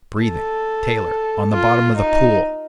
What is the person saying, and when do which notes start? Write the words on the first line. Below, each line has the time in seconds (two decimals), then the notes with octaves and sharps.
Breathing, Taylor, on the bottom of the pool!
0.22 A4
1.53 F4
1.96 D#4